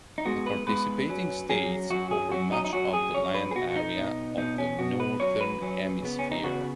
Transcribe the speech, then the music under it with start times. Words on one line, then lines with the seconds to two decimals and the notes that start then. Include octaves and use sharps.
The participating states cover much of the land area of the Northern Hemisphere.
0.18 D#4
0.25 G#2 G#3 B3 F#4
0.46 B4
0.67 G#2 G#3 B3 B4
1.08 F#2 F#3 C#4
1.49 F#2 F#3 C#4 G#4
1.90 F#2 F#3 C#4 F#4
2.11 G#4
2.31 F#2 F#3 C#4 F#4
2.52 D#4
2.65 D#4
2.73 F#2 F#3 C#4 F#4
2.93 G#4
3.14 F#2 F#3 C#4 C#5
3.35 B4
3.51 G#4
3.55 B2 B3 F#4
3.70 F#4
3.76 D#4
3.97 B2 B3
4.37 B2 B3 D#4
4.58 C#4
4.78 B2 B3 F#4
5.00 B4
5.20 F#2 F#3 C#4 C#5
5.41 B4
5.61 F#2 F#3 C#4
6.02 C#3 B3
6.19 C#4
6.32 D#4
6.43 C#3 B3 F#4